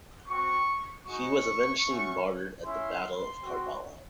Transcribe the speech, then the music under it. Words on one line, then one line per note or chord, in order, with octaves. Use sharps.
He was eventually martyred at the Battle of Karbala.
C4 F#4 C#6
G#3 D#4 F#4 C#6
A3 C#4 F#4
A3 C#4 E4 C6
C4 F#4